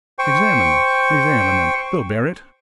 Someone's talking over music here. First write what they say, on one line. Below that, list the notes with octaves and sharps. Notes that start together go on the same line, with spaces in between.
Examine them--examine them--they'll bear it.
C5 G5 C#6